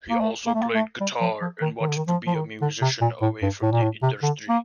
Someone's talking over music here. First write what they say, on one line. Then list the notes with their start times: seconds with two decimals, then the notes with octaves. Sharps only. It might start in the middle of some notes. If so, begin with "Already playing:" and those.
He also played guitar and wanted to be a musician away from the industry.
0.10 A#3
0.21 A3
0.47 A#3
0.55 A3
0.62 A#3
0.74 A3
1.01 G3
1.21 F3
1.41 F3
1.62 D#3
1.81 D#3
1.88 D3
1.97 D#3
2.08 F3
2.27 F3
2.35 D#3
2.62 D3
2.81 C3
3.01 A#2
3.22 A2
3.42 G2
3.62 A2
3.72 A#2
3.82 A2
4.03 C3
4.23 D3
4.49 A#3